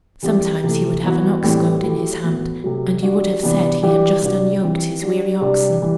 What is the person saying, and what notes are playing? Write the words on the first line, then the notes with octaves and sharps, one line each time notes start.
Sometimes he would have an ox-goad in his hand, and you would have said he had just unyoked his weary oxen.
E3 G3 C4 G4
C3 E3 A3
E3 B3 F#4
A2 E3 G3 C4
F#3 A3 E4 G4
A2 E3 B3 F#4
C3 F#3 A3
G3 D4 F#4
C3 E3 B3 D4
E3 G3 D4 G4
C3 G3 D4 F#4
E3 G3 C4
G3 D4 F#4
C3 G3 D4 G4
E3 G3